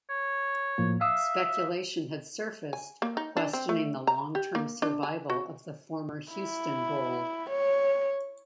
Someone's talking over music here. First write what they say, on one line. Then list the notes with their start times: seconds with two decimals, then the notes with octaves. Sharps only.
Speculation had surfaced questioning the long-term survival of the former Houston Bowl.
0.10 C#5
0.78 A2 F3 A#3
1.01 E5 F5 D#6 E6
2.73 G#5
3.02 A#3
3.17 D#4
3.37 D4
3.53 C4
3.69 A3
4.07 A#5
4.35 G4
4.55 A#3
4.82 D4
5.03 G#5
5.30 F#4
6.33 E4
7.50 C#5